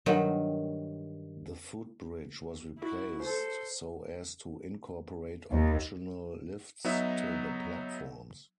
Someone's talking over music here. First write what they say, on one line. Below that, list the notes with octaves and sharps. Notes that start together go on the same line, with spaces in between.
The footbridge was replaced so as to incorporate optional lifts to the platforms.
G2 D#3 F#3
E4 F#4
A4 C5
D#2
F#3 B3 D#4 D#5 E5